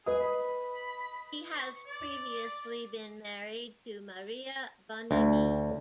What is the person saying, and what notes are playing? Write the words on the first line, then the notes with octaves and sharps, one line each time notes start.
He has previously been married to Maria Bonnevie.
G#4 B4 D#5 D#6
B5
C#6
D5
D2